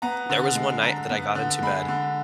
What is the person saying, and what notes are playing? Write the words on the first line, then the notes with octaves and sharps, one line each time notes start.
There was one night that I got into bed,
B3 A#5
D3
G#3
D3 A#5
B3
D3
G#3 B5
D3